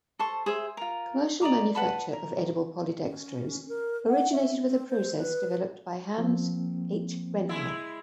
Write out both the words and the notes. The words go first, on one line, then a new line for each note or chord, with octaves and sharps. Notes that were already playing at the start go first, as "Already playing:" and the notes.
Commercial manufacture of edible polydextrose originated with a process developed by Hans H. Rennhard.
A4 C5 A5 C#6
G#4 C5 E5
F4 A#4
D5 D#5 A#5 D6
B4 F#5 A5 B5
A#4
C#4
A#4
F#5
E5
C4
C5
B4
F3 A#3 C4
G#3 E4